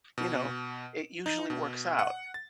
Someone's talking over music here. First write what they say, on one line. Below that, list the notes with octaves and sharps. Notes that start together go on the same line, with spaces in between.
you know, it usually works out.
B2
D#4
B2
F#5
A6